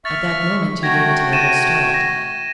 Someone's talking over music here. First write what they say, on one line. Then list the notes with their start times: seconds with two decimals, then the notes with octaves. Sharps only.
At that moment, he gave a terrible start.
0.05 E5 C#6 F6 A6
0.83 A3 F#4 G5 G#6 A#6
1.32 A6 D#7 E7
1.94 A#6